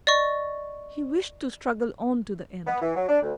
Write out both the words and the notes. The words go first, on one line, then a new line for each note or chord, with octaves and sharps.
He wished to struggle on to the end.
D5 D#5 C#6
B3
E3
F#3
D4
D2